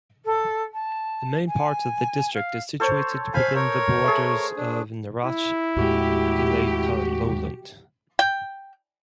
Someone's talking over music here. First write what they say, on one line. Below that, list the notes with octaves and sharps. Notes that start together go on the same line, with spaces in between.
The main part of the district is situated within the borders of Narach-Vileyka lowland.
A4
A5
G#5
F5
A4 C5 C#5
C5 F5 G#5 B5
A#4 C#5
A3 G#4
D4
E4
D#2 A2 G#3 F#4 G4
G5